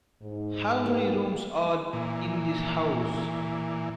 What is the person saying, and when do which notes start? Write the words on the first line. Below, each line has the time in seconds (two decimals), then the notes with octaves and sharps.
How many rooms are in this house?
0.22 G#2
0.86 A#3 B3 G4
1.93 A#2 E3